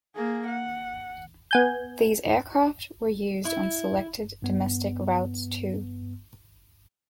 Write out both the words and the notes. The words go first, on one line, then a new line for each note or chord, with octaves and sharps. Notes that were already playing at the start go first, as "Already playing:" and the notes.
These aircraft were used on selected domestic routes too.
A#3 G#4
F#5
B3 G#5 G6
E4
G2 B3